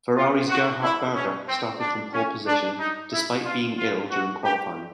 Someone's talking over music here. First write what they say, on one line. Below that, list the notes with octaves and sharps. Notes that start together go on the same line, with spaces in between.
Ferrari's Gerhard Berger started from pole position despite being ill during qualifying.
F4
F#4
E4
C#4
C4
D4
C#4
D4
D#4
E4
F4
F4
F#4
G4